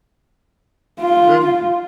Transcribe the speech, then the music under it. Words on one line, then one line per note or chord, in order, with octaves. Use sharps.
And, m
F4